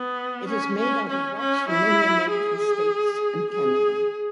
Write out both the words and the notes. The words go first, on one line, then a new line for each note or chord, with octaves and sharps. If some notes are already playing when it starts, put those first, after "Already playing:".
It is made out of rocks from many American states and Canada.
Already playing: B3
C#4
C#4
C#4
C#4
E4
G#4
G#4